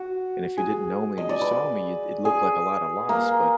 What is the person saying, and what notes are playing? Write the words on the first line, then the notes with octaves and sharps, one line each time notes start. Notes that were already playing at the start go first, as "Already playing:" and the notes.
and if you didn't know me and just saw me, it it looked like a lotta loss, but
Already playing: F#4
G#4
D#5
D5
B4
G#4
A#3